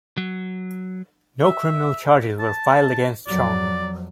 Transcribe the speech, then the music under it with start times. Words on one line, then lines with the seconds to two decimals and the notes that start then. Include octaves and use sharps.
No criminal charges were filed against Chong.
0.17 F#3
1.44 E5
2.39 A5
3.27 F2 F#3 D5